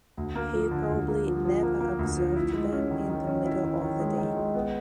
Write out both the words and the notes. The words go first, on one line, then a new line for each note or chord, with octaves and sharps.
He Probably never observed them in the middle of the day.
D2
A#3
F3
D3
D2
A#3
F3
F3
A#3
A#3
D2
F3
E4
G#3
C#4
D#3
D#3
C#4
E4
D#3
D#3
G#3
D#3
G#3
B3